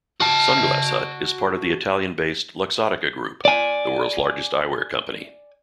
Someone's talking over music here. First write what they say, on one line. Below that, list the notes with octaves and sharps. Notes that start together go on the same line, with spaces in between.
Sunglass Hut is part of the Italian-based Luxottica Group, the world's largest eyewear company.
F#4 A5
D5 G#5